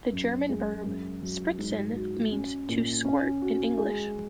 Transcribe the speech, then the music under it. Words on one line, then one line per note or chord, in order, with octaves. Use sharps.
The German verb "spritzen" means "to squirt" in English.
F#2
G#3
F#2
F#3
G#2
F#4
C#4
A#2
C#4
F#4
G#3